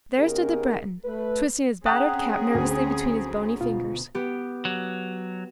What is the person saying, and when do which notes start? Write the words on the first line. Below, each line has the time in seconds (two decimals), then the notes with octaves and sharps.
There stood the Breton twisting his battered cap nervously between his bony fingers.
0.18 C#3 B3 D#4 G4 G#4 A#4
1.05 A3 B4
1.86 C4 C#4 G#4 F#5 G5 A#5 D#6 F#6
2.54 D2
3.61 B2 F4
4.15 B3 G4
4.65 F#3